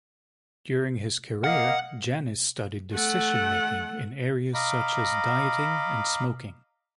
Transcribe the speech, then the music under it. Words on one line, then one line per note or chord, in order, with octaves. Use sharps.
During his career, Janis studied decisionmaking in areas such as dieting and smoking.
A#3 D#5 F5 F#5
A3 F#5
D#5 F5 A#5 B5 D6